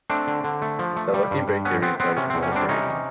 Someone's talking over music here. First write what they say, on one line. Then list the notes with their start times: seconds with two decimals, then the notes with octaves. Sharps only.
The lucky break theory started proliferating.
0.10 A3 C4 D4
0.27 D3
0.44 D3
0.62 A3
0.79 F3
0.96 A3
1.14 G3
1.31 G2
1.48 G2
1.65 B3 C#4
1.82 B3 C4
2.00 B3 C4
2.17 C3 C#4
2.30 E2 C4
2.43 C#4
2.52 G3 C4 D4
2.69 C3 C#4 D#4